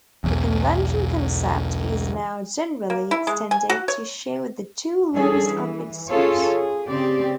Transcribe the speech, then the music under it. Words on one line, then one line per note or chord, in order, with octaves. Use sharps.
The convention concept is now generally extended to show the "two lowest unbid" suits.
B1 E2
A#3
E4
G#3
G#5
F#4
C#5
E3 G3 C#4 D4 G#4 A4
E3
C#4 F4 G#4 A4 C#5
G#4
C#3 C4 G4 D5